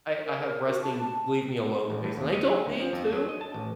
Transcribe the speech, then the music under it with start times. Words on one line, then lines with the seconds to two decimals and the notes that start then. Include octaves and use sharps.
I I have resting leave-me-alone face, and I don't mean to.
0.23 A#4
0.69 F#4
0.82 A5
1.90 A1
2.04 A2
2.17 D#2
2.33 D#5
2.48 F#3
2.66 D2
2.80 F3
2.93 F2
3.13 F#3
3.29 D#5
3.41 A5
3.54 A1